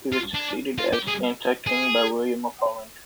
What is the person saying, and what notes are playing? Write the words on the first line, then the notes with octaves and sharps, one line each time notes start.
He was succeeded as anti-king by William of Holland.
F4
D4
F4
G4
G#4
G#4